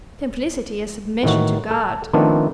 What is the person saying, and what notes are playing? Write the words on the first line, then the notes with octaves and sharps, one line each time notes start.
Simplicity is submission to God.
A2 D#3 E3 F#4
A4
D#3 F3 A3 B3 C4 D4